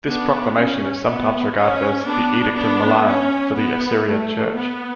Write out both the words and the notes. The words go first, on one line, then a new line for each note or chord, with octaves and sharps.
This proclamation is sometimes regarded as "the Edict of Milan for the Assyrian Church".
B3 D4
C#4
B3
C#4
B3 D4
B3 D4
C#4
B3
A3
B3